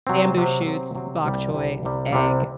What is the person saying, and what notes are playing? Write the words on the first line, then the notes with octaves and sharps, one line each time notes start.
Bamboo shoots, bok choy, egg
C3 F#3 C4
C3 F#3 C4
C3 F#3 C4
C3 F#3 C4
C2 C3 G3
C2 C3 G3
C2 C3 G3
C2 C3 G3